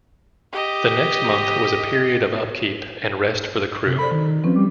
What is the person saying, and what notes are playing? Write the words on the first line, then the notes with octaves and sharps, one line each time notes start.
The next month was a period of upkeep and rest for the crew.
G4 D#5
C3
A4 C5 D5 B5
D#3
F3 C4 C#4 B4
G3 D6